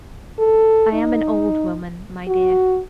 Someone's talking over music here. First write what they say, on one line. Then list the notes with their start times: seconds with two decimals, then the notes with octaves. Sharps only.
I am an old woman, my dear.
0.39 A4
0.93 D#4
2.27 F#4